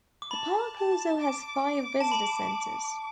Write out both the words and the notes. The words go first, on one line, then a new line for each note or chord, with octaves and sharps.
The park also has five visitor centres.
D6
A5 B5
A5
D6
A5
B5